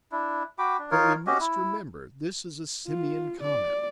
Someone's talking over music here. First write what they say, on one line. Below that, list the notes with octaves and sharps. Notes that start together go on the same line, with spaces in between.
But we must remember this is a simian comment.
D4 E4
F#4 G5 B5 D6
D4
D#4 F4 A#4 C#5
C#4 F#4 G4 D#5
E4
F4
D5